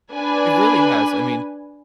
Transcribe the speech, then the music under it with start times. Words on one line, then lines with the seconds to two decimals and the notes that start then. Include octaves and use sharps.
it really has. I mean,
0.12 D4 B4 G#5